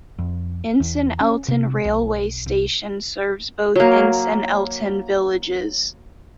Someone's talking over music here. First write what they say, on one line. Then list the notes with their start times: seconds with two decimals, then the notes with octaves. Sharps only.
Ince and Elton railway station serves both Ince and Elton villages.
0.19 F2
0.80 E2
1.21 C#4
1.48 C3
1.85 B1
2.46 C2
3.76 F#3 A#3